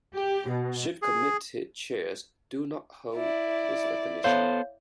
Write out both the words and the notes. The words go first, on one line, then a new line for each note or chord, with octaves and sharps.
Ship committee chairs do not hold this recognition.
G4
B2
G#4
E4 D5
B3 A4 C5 C#5 F5 G6